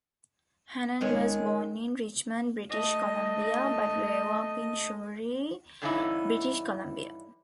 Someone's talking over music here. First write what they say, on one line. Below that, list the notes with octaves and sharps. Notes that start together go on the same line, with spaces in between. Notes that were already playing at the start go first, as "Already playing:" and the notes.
Hannan was born in Richmond, British Columbia, but grew up in Surrey, British Columbia.
D#3 G#3 C#4
A3 D#5
G2 D3 E3 C#4 D#4 E4